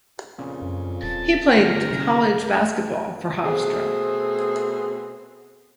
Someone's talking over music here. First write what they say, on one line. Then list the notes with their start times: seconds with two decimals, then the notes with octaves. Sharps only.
He played college basketball for Hofstra.
0.38 F2 A#2 C#3
0.62 F#2
1.02 D#1 A5
1.57 G1 A#2 B3 G4 A#4 C5
1.91 F#1 C3
3.44 B2 A3 C4 G#4